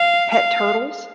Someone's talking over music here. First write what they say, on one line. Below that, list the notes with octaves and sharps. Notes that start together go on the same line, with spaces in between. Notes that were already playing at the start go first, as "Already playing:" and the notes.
pet turtles
Already playing: F5
F5